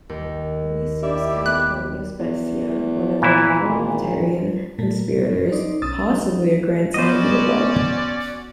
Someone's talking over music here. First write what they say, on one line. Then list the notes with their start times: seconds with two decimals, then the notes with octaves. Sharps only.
Lucius Calpurnius Bestia, one of the Catilinarian conspirators, possibly a grandson of the above.
0.09 D#2
1.03 E4 G4 D5 E5
1.46 B3 F#6
2.19 E2
3.22 A#2 E3 E4
3.63 G#1
4.78 A#2 A3 A#3
5.52 D#4 C5 D5
5.82 B1 C#4 D#6 E6 A6
6.13 F#3 D#4
6.94 B3 C#4 F#4 C5 D5 D#5